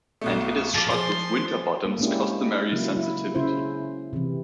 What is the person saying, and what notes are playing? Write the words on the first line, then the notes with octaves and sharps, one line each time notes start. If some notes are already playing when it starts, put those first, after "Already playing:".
And it is shot with Winterbottom's customary sensitivity.
B1 B2 A3
A#2 F3 D6 A6
F3 G#4 C6
A#3
G#3 A#3 C#4 D4 E4 G4
C#3 F#3 A#3 E4
E4
C#3 E4 C5
C3 E3